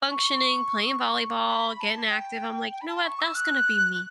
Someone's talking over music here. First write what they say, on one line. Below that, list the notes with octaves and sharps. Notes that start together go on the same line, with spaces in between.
functioning, playing volleyball, getting active, I'm like, "You know what? That's gonna be me."
C#6
B5
A5
G5
G5
B5
A5
C#6
E6
F#6